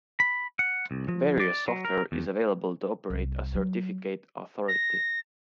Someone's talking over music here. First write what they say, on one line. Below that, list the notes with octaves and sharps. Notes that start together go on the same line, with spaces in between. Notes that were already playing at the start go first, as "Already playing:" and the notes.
Various software is available to operate a certificate authority.
B5
F#5
C2
F3
D5
F#3
A#4
E2
C2
F#3
A#6